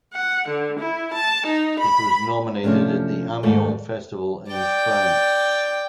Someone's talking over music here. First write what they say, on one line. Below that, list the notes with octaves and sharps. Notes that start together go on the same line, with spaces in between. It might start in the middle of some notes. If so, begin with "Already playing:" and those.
It was nominated at the Amiens festival in France.
F#5
D3
E4
A5
D#4
B5
C3 F3 A3 C#4 D4
D#2 G#2 A3 A#3
D5 G5